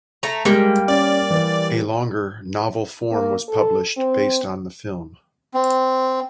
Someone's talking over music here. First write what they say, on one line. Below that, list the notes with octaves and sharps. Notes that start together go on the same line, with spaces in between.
A longer, novel form was published, based on the film.
A3 A#5
G3 G#3 A#3
C#4 D5
E3
A#3
A4
C4
C4